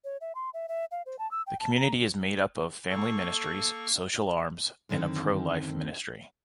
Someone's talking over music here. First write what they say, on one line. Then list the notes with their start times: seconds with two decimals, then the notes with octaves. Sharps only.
The community is made up of family ministries, social arms, and a pro-life ministry.
0.04 C#5
0.21 E5
0.35 C6
0.54 E5
0.68 E5
0.91 F5
1.06 C5
1.19 A5
1.31 E6
1.47 G5
1.60 A5
1.76 A#5
2.90 A#3 A4 C#6
4.89 F#2 D3 D#3 C4 A4